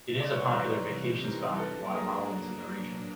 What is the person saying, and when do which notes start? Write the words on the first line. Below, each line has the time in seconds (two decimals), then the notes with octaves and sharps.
It is a popular vacation spot for Guatemalans in the region.
0.20 C3 E3 G3 C4 D#4 C5 D5
0.31 B4 C#5
0.43 A#4 C5
0.55 B4 C#5
1.24 A#4 C5
1.58 F#3 A#3 D4 A4 B4
1.94 G#4 A#4